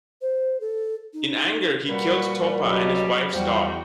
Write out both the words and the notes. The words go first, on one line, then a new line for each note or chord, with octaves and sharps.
In anger, he killed Topa, and his wife's dog.
C5
A4
D#4
A#2 G3 F#4 B4
C#2 B2 F#3 G3
E2 F3 G3 F#4 G5